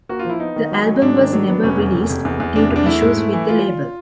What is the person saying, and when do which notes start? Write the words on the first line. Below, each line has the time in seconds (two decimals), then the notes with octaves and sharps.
The album was never released due to issues with the label.
0.09 A#3 F#4
0.19 F4
0.25 F3 E4
0.40 B3 D#4
0.56 D#3
0.71 F#3
0.86 F#3
1.02 G#2 D4
1.17 D#3
1.33 F#3
1.48 B3
1.63 F1 C#4
1.78 E2
1.94 F1
2.09 F1
2.25 E2
2.40 E2
2.55 C3 D4
2.71 E2 D4
2.86 A3 E4
3.02 G#2
3.17 A3
3.33 E3
3.48 F4